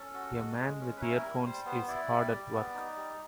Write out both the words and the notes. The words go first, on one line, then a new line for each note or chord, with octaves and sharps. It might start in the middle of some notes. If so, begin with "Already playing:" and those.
A man with earphones is hard at work.
Already playing: C#4 A4
F#4
G#3
G#3
C#4
B4
E4 A#4
G3 A#4
G3 C5
B3 C5
E4 D5
G3
G3
B3
D#4
G3